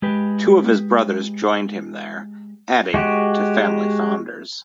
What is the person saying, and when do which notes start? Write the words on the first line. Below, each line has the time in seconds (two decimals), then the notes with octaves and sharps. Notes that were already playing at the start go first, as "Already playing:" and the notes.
Two of his brothers joined him there, adding to family founders.
0.02 G#3 G4 B4
2.94 G#3 F#4 G4